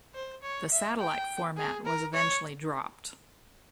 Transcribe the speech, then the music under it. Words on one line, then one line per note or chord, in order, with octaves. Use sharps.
The satellite format was eventually dropped.
C5
C#5
E5
G5
G#4
A#4
C#5